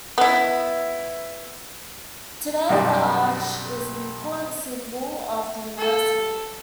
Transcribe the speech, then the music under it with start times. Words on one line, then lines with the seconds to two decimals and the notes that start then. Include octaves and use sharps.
Today, The Arch is an important symbol of the University.
0.18 B3 E4
2.69 B1 F#2 G3 D5 D#5
5.78 A4